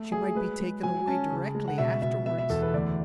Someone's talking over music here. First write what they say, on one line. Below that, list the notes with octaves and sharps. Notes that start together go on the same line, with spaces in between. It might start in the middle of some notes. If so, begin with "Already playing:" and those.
She might be taken away directly afterwards.
Already playing: A3
F#3 G#4
G#3 B4
G#3
F#3 G#5
C#4 A5
C#3
G#3
F#5
B2 E5
B2 E5
B3 E5
E5
E2 A4
B4
D2 D5